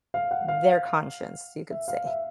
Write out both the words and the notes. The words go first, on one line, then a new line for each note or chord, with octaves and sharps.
their conscience, you could say.
F5
F#5
F5
E5
F5
E5